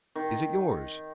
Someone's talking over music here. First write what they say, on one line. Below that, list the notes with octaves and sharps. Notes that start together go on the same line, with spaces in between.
"Is it yours?"
D#3